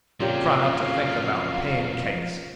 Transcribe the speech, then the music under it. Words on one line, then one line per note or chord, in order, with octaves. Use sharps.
Try not to think about pancakes.'
F2 A#2 C#3 F#3 G4 F5